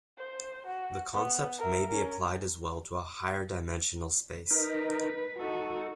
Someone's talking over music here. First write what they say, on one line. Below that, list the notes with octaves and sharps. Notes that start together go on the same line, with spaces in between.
The concept may be applied as well to a higher-dimensional space.
C5
F#4
B3
A#4 E5
C#4 A#4
D#4 A#4 B4
D#4 F#4 A4